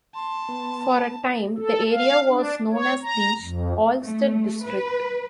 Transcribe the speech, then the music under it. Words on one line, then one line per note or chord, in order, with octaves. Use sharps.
For a time the area was known as the "Olstead District".
A5 C6
B3
A4
F5
D4
C#5
A#5
F2
A3
B4